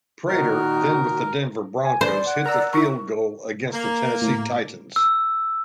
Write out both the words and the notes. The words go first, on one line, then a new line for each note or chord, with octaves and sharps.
Prater, then with the Denver Broncos, hit the field goal against the Tennessee Titans.
A#2 D#3 D#4 F#4 A#4
G#5
B4 C5 D5
F#5
A#4 D5 A#5 E6
E4 A#4 C#6
A#3
A2
E6